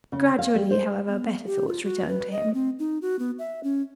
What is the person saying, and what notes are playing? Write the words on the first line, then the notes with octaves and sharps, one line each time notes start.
Gradually, however, better thoughts returned to him.
C#3
F5
G3
C5
B3
G4
F4
F#4
B4
D#5
C4
D#4
F#4
B3
E5
C#4